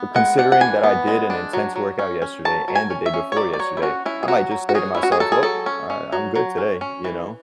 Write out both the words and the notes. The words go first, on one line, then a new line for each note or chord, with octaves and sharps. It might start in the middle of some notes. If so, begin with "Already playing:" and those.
But considering that I did an intense workout yesterday and the day before yesterday, I might just say to myself, "Well, I I'm good today, you know,
Already playing: B3
G#3 F#5
D4 F#5
F#5
E3 G#5
B3
G#3
D4
F#3
F#3
C#4
C#4
F#3 A5
F#3
G#5
C#4
E5
C#4
C#5
F#3 D5
D5
F#3 C#5
E4
C#4 F#4
C#4 E4
G#4
F#3 F#4
F#3
F#4
C#4 G#4
C#4 E4
F#4
G#4
F#3 A4
G#4
F#3 A4
C#4
C#4
F#3
F#3
C#4
C#4
E3